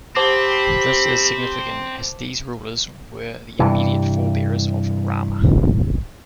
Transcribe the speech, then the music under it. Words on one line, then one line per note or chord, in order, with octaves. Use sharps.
This is significant as these rulers were the immediate forebears of Rama.
C4 G4 C5 A5 B5 D6
G2 C3 E3